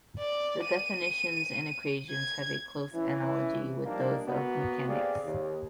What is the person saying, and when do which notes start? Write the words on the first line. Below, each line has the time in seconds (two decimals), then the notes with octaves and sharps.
The definitions and equations have a close analogy with those of mechanics.
0.18 D5
0.64 D#7
2.10 G#6
2.94 E3 C#4 E4
3.85 F3 G3 A#3 D4 D#4 A#4
4.26 A#3 B3 F#4
4.87 C3 C4 G4 G#4 D5 F5
5.24 D#2